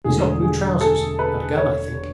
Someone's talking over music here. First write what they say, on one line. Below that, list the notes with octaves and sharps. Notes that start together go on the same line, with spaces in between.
He's got blue trousers, and a gun I think....
E1 D2 D3 G#4
G#4
A4
B4
C#5